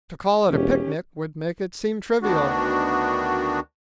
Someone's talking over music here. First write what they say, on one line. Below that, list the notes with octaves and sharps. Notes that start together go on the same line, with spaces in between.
To call it a picnic would make it seem trivial.
E1 C#4 G4
D2 D#3 B3 D4 F#4